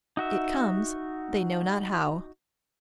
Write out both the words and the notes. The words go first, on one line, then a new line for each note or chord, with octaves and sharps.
It comes, they know not how.
D#4 F#4 E5